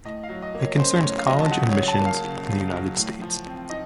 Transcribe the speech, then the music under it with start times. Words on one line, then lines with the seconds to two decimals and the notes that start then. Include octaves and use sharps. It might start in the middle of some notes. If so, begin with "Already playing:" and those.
It concerns college admissions in the United States.
0.05 A2 D#5
0.23 F5
0.29 F#3
0.42 D#5
0.54 A#3 C#5
0.78 C#4 C5
1.02 A2 C#5
1.18 F5
1.27 F#3 D#5
1.41 A5
1.51 C#3 F#5
1.69 C#5
1.76 F#3
1.88 A5
2.00 A#3
2.06 F5
2.24 C#3
2.49 C#3
2.73 F#3
2.97 A2
3.22 F3
3.46 C4
3.70 D#4 D#5